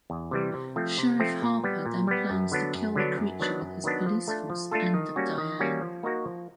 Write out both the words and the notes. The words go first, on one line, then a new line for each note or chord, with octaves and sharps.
Sheriff Harper then plans to kill the creature with his police force and Diane.
E2
C3 E3 G3
C3
F3 A3 C4
C3
F3 A3 C4
A#2
G3 B3
A#2
G3 B3
F#2
D3 F#3 B3 D4
F#2
D3 F#3 B3 D4
F#2
D#3 F#3 B3 D4
F#2
D#3 F#3 B3 D4
F3
A3 D4 F4 A4
F3
A3 D4 F4 A4
D#3
G3 A#3 C#4 F#4
D#3
G3 A#3 C#4 F#4
F3
A#3 D#4 F#4 A#4
F3